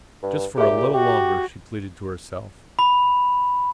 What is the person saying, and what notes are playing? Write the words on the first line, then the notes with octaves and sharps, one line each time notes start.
Just for a little longer, she pleaded to herself.
G2
A#2 G4 G#4 C#5 E5
F#4 G4
B5